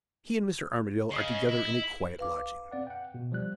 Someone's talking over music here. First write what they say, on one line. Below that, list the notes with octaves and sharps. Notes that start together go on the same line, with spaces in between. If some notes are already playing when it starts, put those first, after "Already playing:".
He and Mr. Armadale are together in a quiet lodging.
C#3 D#5
E4
B4 F5 D6
C4 D5 F#5
F#5 G5
B2
F3 G3 F#6